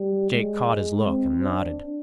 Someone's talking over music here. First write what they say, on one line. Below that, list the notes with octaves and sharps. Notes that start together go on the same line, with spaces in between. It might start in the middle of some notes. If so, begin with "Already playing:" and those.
Jake caught his look and nodded.
Already playing: G3
G#3
C4
D4